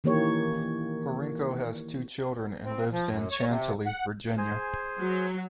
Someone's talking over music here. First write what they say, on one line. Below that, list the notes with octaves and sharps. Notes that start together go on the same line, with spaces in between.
Horinko has two children and lives in Chantilly, Virginia.
D#3 E3 A#3 G4 C#5
C4
F3
F#2
C#5
C3
F#5
G#4 C5 G#5
F#3